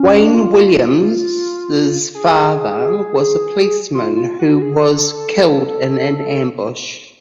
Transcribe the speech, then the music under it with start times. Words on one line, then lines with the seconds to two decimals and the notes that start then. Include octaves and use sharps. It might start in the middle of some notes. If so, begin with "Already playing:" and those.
Wayne Williams' father was a policeman who was killed in an ambush.
Already playing: C#4
0.23 D4
0.34 F4
2.15 G#4
3.95 F4
4.17 F4
4.39 F#4
4.62 G#4
4.85 A4